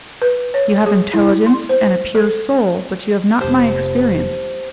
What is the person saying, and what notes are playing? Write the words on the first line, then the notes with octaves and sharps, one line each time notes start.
You have intelligence and a pure soul, but you have not my experience.
B4
C#5
G#4
E4
C6
C5
A4
F1 F2 G4 C5 A5